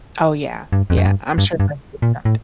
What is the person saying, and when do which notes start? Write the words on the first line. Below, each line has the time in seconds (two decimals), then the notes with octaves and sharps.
Oh, yeah, yeah, I'm sure that's just something
0.72 G2
0.90 F2
0.97 F#2
1.05 G2
1.38 G2
1.60 G2
2.02 A#2
2.25 A2